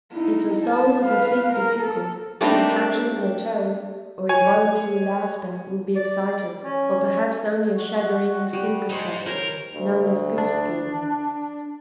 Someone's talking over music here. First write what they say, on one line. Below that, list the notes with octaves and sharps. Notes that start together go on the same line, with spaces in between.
If the soles of the feet be tickled, contraction of the toes, or involuntary laughter, will be excited, or perhaps only a shuddering and skin contraction, known as goose-skin.
D#4 E4
A5
B4 F5
A#4
A4
G3 A3 A#3 C4 D4 D#4
C#5 G#5
D5
C#4
F#4
G3
D#4 C5
A#4 C5 C#5
D2
D4